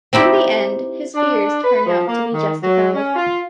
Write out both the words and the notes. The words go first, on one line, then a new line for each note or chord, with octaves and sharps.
In the end his fears turn out to be justified.
C4 D#4 E4 G4
D4
B4
F3
A#3
D#3
F#3
C#4
F4